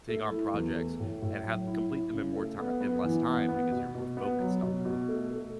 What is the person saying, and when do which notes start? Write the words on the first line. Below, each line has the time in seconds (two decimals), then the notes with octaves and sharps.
take on projects, and have complete them in more ti in less time, because you're more focused on them,
0.09 A3
0.31 E4
0.54 E2
0.76 A3
1.00 A2
1.22 A2
1.45 F#3
1.67 E4
1.90 E4
2.12 C#3
2.36 A3
2.59 B3
2.81 B3
3.04 E3
3.26 B3
3.49 B3
3.72 B2
3.95 B2
4.17 B3
4.39 F#3
4.63 B2
4.85 B2
5.08 A3
5.31 A3